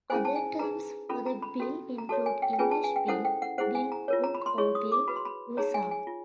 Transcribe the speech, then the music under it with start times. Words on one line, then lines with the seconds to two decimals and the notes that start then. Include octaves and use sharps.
Other terms for the bill include English bill, bill hook or bill-guisarme.
0.10 C#4 E4 G#4 C5 G#5
0.25 A5
0.35 G#5
0.59 D#4 G#4 B4 A#5
1.09 C#4 F4 A4 B5
1.26 A#5
1.42 B5
1.60 C#4 F#4 A4
1.98 A#5
2.09 F#4 A4 C#5 A5
2.26 G#5
2.42 G5
2.53 G5
2.59 C#4 F4 G#4 B4 G#5
2.71 A5
2.84 G#5
2.96 G5
3.08 C#4 E4 A4 C5 F#5
3.25 G5
3.42 F#5
3.58 E4 G#4 C5 F#5
3.75 G#5
3.92 A#5
4.08 F4 A#4 C#5
4.24 A#5
4.35 B5
4.46 C6
4.58 E4 G#4 C#5 C#6
4.75 D#6
4.92 D6
5.08 F#4 B4 B5
5.16 C6
5.25 B5
5.57 D#4 G#4 C#5 A#5
5.74 G#5
5.91 G#5
6.07 F4